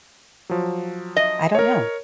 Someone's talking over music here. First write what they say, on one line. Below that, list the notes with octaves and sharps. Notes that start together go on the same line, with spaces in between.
I don't know.
F3 F#3
D#5
A#4 C#5